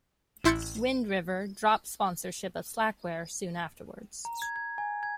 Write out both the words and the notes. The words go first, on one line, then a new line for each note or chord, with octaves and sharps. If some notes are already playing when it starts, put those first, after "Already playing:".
Wind River dropped sponsorship of Slackware soon afterwards.
A1 E4 C6 G6 A6 C#7
A#5
G#6
G#6
G#5
G#6